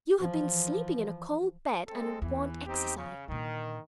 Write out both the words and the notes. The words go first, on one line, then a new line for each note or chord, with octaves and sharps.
You have been sleeping in a cold bed and want exercise.
E3 F3
G#3 C4 A4
E2 E3
C4 D#4 G4
C#3
A#2 D3 D#3